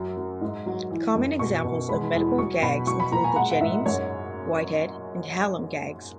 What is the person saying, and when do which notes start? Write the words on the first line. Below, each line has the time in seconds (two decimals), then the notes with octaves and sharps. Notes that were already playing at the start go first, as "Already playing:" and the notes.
Common examples of medical gags include the Jennings, Whitehead, and Hallam gags.
Already playing: F#2 F#3
0.17 F#3
0.41 G#2
0.66 F#3
0.91 E3
1.15 F#2
1.39 B2 C#6
1.64 B2
1.89 G#3 B5
2.14 E2
2.38 F#3 C#6
2.62 B2 B5
2.87 F#3 C#6
3.00 B5
3.11 A#2 A#5
3.24 G#5
3.36 G#3 F#5
3.51 F#5
3.61 G#2 E5
3.86 F#2 C#5